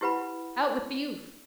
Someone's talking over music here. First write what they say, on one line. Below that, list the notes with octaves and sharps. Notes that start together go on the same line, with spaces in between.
Out with the oof.
E4 G4 B4 F#5 B5